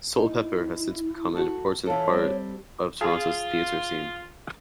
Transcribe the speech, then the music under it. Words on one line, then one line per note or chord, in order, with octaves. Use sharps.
Soulpepper has since become an important part of Toronto's theatre scene.
D#4 E4
A3 F#4
E3 F4 A4 C#5
G3 C4
F4 G#4